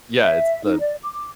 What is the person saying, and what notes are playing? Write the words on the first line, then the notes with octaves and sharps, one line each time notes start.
Yeah, it's the
E5
D#4
D5
D6